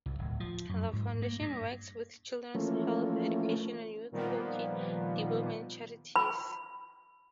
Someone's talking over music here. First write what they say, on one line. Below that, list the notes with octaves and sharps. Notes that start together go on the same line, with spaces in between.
The Foundation works with children's health, education, and youth hockey development charities.
C2
D1
F3
F#2
G#2
A#3
G2
E3 F3 A3 A#3 C#4
A#2 D#3 F3 G3 A#3 B3
B5